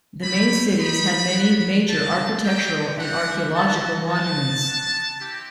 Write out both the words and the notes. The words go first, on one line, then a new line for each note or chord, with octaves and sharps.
The main cities have many major architectural and archeological monuments.
A3 E4 G4 B5
G3 D#4 G4 B5
B3 F#4
G3 C4 F#4 A5
G3 C4 E4 G4 G5
G3 C4 E4 G4 F#5
B3 F#4 A5
A3 D#4 F#4 A5
B3 F#4
C4 E4 G4